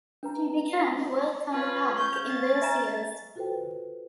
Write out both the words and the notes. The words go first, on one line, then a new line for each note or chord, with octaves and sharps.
She began work on the park in those years.
D4 B4 A#5
C#4 F4 B4
C#6 G6
A6
E5 G#5 A#5
F4 F#4 A4 B4 C5 G5